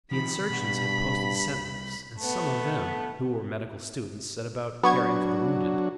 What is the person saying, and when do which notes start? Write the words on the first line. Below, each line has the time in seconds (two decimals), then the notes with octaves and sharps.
The insurgents had posted sentinels, and some of them, who were medical students, set about caring for the wounded.
0.11 D#3 F3 B5
0.50 G2 B2 F#4
1.45 C2
2.18 A3 B3
4.83 F#3 B3 D4 F#4 C#6 G#6